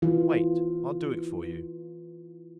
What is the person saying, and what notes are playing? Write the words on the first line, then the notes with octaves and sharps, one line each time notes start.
"Wait: I'll do it for you."
E3 F4 B4